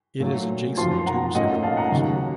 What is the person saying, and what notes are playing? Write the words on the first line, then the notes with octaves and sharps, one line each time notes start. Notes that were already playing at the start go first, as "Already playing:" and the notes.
It is adjacent to Central Prison.
A#2 F#3 A3
F#2 F3 A#3 F4 A5 C6
F#5 A#5
A#2 A3 C#4 F4 D#5 F#5
F5 A5
F#5 A#5
D#2 C#3 F#3